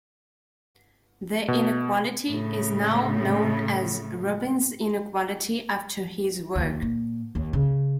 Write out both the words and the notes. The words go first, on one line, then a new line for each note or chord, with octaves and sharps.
The inequality is now known as Robin's inequality after his work.
B2
A2 C#3
D#2
A#2
D#2
C#3